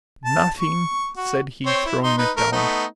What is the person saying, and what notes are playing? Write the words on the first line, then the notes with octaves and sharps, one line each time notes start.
"Nothing," said he, throwing it down.
A5
C#6
F#4
C4 C5 C#5
E4
D#4 C6
D#4 B4
A3 A#4
A3 B3 D#4